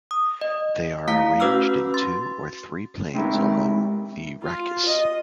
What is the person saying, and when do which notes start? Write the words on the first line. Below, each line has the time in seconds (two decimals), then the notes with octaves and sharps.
They are arranged in two or three planes along the rachis.
0.11 D#6
0.41 D#5
1.08 A3 E4 F5 A#5 B6
1.40 C#4 F#4 B4 D6 E6 F6
1.94 C6 A6
3.14 G#3 C4 D#4 E4 G4 A#4
4.41 F4
4.85 D#5